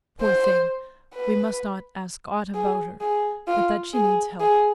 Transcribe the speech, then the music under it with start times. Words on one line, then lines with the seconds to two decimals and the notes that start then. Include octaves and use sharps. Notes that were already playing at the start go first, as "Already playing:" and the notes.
Poor thing! we must not ask aught about her, but that she needs help.
0.21 C5
1.15 B4
2.54 G#4
3.01 G#4
3.48 F4
3.94 G#4
4.40 G#4